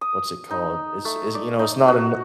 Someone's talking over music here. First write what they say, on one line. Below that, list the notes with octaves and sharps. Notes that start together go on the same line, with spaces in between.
What's it called? It's it's, you know, it's not eno
D#6
D#4
A3
D5
D#4
F#4